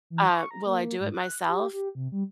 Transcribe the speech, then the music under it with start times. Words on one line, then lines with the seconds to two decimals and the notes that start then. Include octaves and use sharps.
Uh, Will I do it myself?
0.10 E3
0.30 C#6
0.51 A#5
0.66 A#3
1.00 G#2
1.14 F#6
1.47 G4
1.73 G4
1.95 C3
2.12 G3